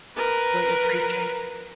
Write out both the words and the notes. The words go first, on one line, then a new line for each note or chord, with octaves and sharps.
what you're preaching?
A#4 B4